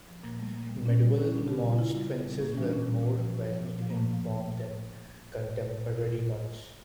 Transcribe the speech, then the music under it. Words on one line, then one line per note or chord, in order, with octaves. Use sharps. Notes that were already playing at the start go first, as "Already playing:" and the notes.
Medieval monstrances were more varied in form than contemporary ones.
F3
A#2 A#3
G3 A3
A#2 A#3
G3
A#2 C#4
G3
A#2 C#4
C#4
G3
D4
C#3 G4
G3
F4
C#3 E4
G3
C#3
G3
A2 A#3
C#4
E3 G3
D4
A#2 C#4
G3
A#2
F3
A2
F3
A#2
F3
A#3
A2 A3
F3